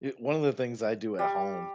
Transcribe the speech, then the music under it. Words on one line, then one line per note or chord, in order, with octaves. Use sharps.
I one of the things I do at home
G3